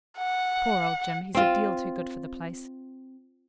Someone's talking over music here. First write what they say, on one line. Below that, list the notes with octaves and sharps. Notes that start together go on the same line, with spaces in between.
'Poor old Jim, he's a deal too good for the place.
F#5
C4 F4